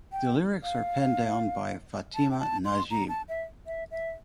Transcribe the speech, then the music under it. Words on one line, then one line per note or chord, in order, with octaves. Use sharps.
The lyrics are penned down by Fatima Najeeb.
G5
F5
A5
G5
A5
C6
A#5
A5
E5
E5
E5